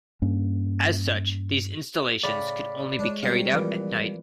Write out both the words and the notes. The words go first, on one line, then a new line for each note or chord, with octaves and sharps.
As such these installations could only be carried out at night.
G2 A#3 C#4
A2 C#3 D5 B5
G#3 D4 C#5
G3 C4 A#4 F5
A#2 E3 F3 B4